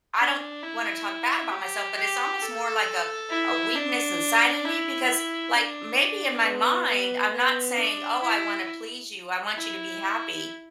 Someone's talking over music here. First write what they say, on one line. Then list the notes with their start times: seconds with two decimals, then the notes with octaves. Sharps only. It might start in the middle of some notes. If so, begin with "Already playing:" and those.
I don't wanna talk bad about myself, but it's almost more like a a weakness inside of me because, like, maybe in my mind, I'm not saying, "Oh, I wanna please you. I want you to be happy,"
0.18 D4
0.63 E4
1.52 G4
1.96 G4
2.41 A4
3.30 E4
3.75 D4
4.65 E4
5.54 D4
6.43 B3
6.88 B3
7.32 B3
7.77 D4
8.22 E4
9.56 E4